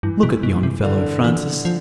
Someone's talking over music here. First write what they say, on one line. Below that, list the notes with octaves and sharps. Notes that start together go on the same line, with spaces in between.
Look at yon fellow, Francis!
G2 E3
B2
B2
C3
D3
E3
F3